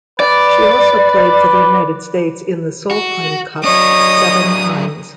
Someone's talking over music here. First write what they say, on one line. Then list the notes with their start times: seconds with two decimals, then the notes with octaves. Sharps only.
She also played for the United States in the Solheim Cup seven times.
0.20 B4 D5
2.91 F#4
3.64 F#3 D4 C#5 D#5 D#6